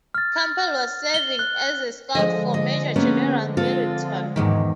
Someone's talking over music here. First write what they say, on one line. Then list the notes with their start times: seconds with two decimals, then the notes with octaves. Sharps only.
Campbell was serving as a scout for Major General Middleton.
0.14 F6 A6
1.14 G7
1.39 F#6
2.15 D3 F3 G#3 D#5
2.54 D#5
2.96 A#3 B3 C#4
3.57 C4 F4 A4
4.36 E2 G#2 D#3